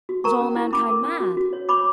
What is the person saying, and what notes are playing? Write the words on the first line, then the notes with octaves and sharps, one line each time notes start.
Was all mankind mad!
F#4
A#4 A#5 C#6
C#4
E4
C#4 B5 D6
A#4
C#4
F#4
F#4
C#5
C#5 B5 D6